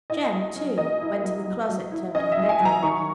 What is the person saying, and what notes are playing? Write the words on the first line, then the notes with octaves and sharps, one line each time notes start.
Jem, too, went to the closet termed his bed-room.
E4 D#5
F#3
C#4
A#3 D#5
E4
F#3
F#3
F#3
E4
C#4 D#5
E5
F#3
G#5
F#3 A#5
D#3 C#6